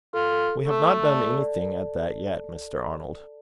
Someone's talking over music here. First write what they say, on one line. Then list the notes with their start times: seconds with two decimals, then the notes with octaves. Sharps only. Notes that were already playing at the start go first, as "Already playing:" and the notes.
"We have not done anything at that yet, Mr. Arnold."
0.14 F4 A4
0.32 A4
0.49 A4
0.67 A3 A4
0.85 A5
1.03 D5
1.20 A4
1.39 D5
1.56 D5